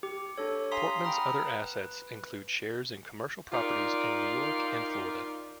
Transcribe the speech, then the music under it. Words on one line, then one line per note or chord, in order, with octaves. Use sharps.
Portman's other assets include shares in commercial properties in New York and Florida.
G4
D4 G4 A4 C#5
F5 G#5 A#5 C6 D#6 B6
F#5 G5 A#5 B5 D#6 F6
B4
D#4 F4 G4 A#4 D5 F5